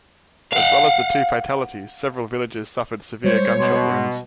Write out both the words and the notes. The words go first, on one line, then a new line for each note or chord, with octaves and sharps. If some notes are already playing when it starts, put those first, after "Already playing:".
As well as the two fatalities several villagers suffered severe gunshot wounds.
F5 F#5
G3 G#3 C5 C#5
B2 C6